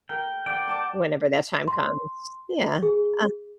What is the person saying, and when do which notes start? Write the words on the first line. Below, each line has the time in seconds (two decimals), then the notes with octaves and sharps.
whenever that time comes. Yeah, uh
0.09 A#4 G5
0.46 D5 F#5 G5
0.68 D5 A5 D6
1.68 C6
2.83 G#4